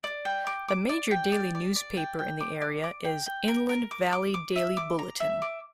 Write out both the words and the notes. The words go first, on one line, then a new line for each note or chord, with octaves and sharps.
The major daily newspaper in the area is "Inland Valley Daily Bulletin".
D5
G5
D6
D6
D5
G5
D5
D5
D5
G5
G5
D6
D5
D6
G5
G5
A#4
A#4
D6
D6
D6
E5
D6
A#5
E5
D6